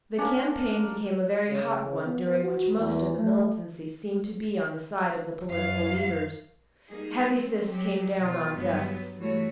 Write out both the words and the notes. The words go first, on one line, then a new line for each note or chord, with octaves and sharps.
The campaign became a very hot one during which most of the militancy seemed to be on the side of the political leaders. Heavy fists came down on desks.
A#3 C#4 D4 B4
C#3
B3
F#4
E2
A3
F#2 F5
G3 A#3 D#4 G#4
C4
F#3 G4
B2 E3 F4
G2 F#3 B3
E3 G3 A3 F#4 C#5